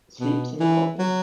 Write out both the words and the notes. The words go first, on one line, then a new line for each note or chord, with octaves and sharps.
Sleeps in a coffin.
B2
E3
F#3